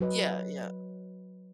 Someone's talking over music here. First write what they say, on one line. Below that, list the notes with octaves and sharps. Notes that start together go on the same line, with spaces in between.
Yeah, yeah.
F#3 B4 D#5